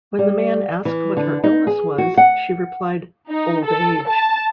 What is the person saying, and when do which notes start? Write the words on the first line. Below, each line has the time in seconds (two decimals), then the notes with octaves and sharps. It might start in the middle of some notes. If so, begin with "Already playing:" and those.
When the man asked what her illness was she replied, "Old age".
0.19 G3
0.85 E3
1.17 D3
1.44 D#4
1.67 G#4
1.98 F#4
2.17 F#5
3.30 D#4
3.67 A4
4.09 A5